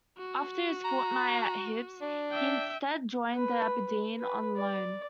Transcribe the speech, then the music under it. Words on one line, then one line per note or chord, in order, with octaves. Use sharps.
After his fortnight at Hibs, he instead joined Aberdeen on loan.
F#4
A#5
D4
E5 G5
B4
B4
D5